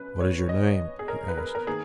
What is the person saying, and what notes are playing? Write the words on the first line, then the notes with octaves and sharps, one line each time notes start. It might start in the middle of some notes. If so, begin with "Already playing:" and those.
"What is your name?" he asked.
Already playing: F#2 B4
C#5
D#5
G#4
A#4
B4
A#4
A#4
D#3 A#3 G#4